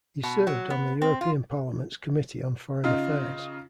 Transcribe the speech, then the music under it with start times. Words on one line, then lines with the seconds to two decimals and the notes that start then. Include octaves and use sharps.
He served on the European Parliament's Committee on Foreign Affairs.
0.23 B2
0.47 F#3
0.70 B3
1.02 C4
1.21 F4
2.84 C#3 D#4 F4